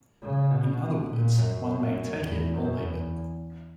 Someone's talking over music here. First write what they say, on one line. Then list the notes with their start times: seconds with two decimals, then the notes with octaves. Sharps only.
In other words, one may "take it or leave it".
0.22 C#3
0.51 B2
1.09 A#2
1.38 F#2
2.25 E2
2.54 F#2
2.82 E2